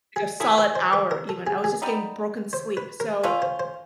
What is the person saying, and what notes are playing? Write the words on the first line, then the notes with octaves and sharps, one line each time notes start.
a solid hour, even. I was just getting broken sleep. So
G#4
B3 E4 G#4 A4
B4
C5
B4
A#4
A4
G#4
G#4
G3 B3 D#4
C5
B4
A#4
F3 A3 C#4 F4 B4
C5
C5